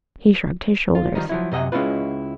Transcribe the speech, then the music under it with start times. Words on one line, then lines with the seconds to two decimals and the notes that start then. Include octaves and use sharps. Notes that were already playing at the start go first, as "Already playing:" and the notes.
He shrugged his shoulders.
0.95 F4
1.15 D#3 F3 G3 D#4
1.29 F3 F#3 E4
1.52 F#2 C3 D#5 F#5 G#5
1.72 C#2 G#3 C#4 E4 F4 B4